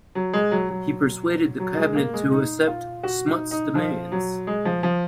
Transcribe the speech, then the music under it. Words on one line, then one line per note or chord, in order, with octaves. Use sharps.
He persuaded the cabinet to accept Smuts' demands.
F#3
G#3
F#3
F#3
F#3
G#3
A#3
G#3
D#4
F4
F#4
D#4
D#4
F3
F#3
G#3
F3
F3